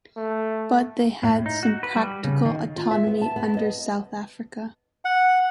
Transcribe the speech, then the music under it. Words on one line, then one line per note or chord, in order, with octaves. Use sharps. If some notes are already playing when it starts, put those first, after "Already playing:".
But they had some practical autonomy under South Africa.
A3
A2
D#4
F#4
B4
G3
C#3
D#3
F4
E5
B3
A5
B3
D#5
F#5